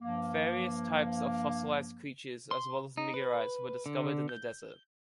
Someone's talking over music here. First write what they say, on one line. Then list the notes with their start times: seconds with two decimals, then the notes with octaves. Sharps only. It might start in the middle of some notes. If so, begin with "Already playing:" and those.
Various types of fossilized creatures as well as meteorites were discovered in the desert.
0.02 G2 F3 A#3
2.51 C6
2.97 D#4
3.14 B4
3.86 D3
4.29 G6